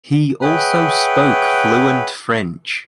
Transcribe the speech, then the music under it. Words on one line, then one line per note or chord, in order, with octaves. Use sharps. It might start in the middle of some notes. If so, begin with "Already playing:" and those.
He also spoke fluent French.
G#4 B4 C#5 E5 F#5 G5